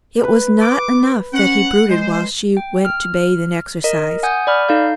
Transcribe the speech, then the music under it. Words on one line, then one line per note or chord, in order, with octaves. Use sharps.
It was not enough that he brooded while she went to bathe and exercise.
B4
D6
C#4 F#5
G#3 C5
G5
F6
A#4 D#5
F#5 G#5 D#6 G6
D5 B5 F6
D#4 A4 F5 G6